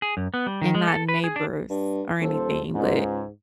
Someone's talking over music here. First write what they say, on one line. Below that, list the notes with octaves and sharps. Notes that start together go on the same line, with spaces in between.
And not neighbors or anything, but
G#4
F#2
B3
G3
D#3
G#3
A4
B4
G#4
D4
G2
D#1 A4 C5
C#2 G#2